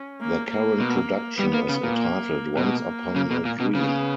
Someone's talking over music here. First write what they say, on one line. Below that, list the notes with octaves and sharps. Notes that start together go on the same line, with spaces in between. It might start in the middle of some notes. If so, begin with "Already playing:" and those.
Their current production is entitled 'Once Upon A Dream.
Already playing: C#4
A#3
A#3
B2
G3 B3
A#3
C#3
A#2
A#3
B2 A#3
C#3
B2
A#2
B2
C#3 B3